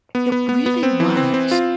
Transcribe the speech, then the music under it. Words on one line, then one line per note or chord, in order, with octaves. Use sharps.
It really was.
B3
B3
B3
B3
C4
E3
C4
C4
F4